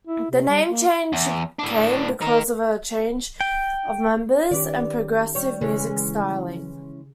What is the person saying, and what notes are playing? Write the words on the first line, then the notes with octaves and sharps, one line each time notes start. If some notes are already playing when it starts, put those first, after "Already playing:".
The name change came because of a change of members and progressive musical styling.
E4
C3
G3
A#3
E2
A2 D4
D#4 A#4
G5
D#3 C#4 G4 B4 D5
G3 C#5
C#3 E3 G#3 C#4